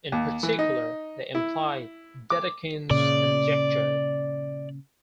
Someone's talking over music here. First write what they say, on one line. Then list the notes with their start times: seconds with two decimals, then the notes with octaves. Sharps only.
In particular, they imply Dedekind's conjecture.
0.12 D#2
0.43 E3
0.59 D#4
1.35 E4
2.30 D6
2.91 A#2 C#3 D5